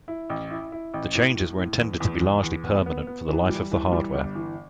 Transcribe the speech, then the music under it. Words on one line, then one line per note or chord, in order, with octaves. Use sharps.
The changes were intended to be largely permanent for the life of the hardware.
E4
A1
E4
E4
A1
A2
A2
A2
E2
E2
E2
E2
B3
B3
B3
E3
G3
E3
G3
G1
E3